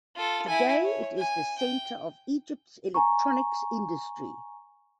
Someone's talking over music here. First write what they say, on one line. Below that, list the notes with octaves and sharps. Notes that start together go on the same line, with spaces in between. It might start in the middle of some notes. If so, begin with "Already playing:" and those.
Today it is the center of Egypt's electronics industry.
F4 A4
E4 G#5
C#5
G#5
G5
G#5 A#5 C#6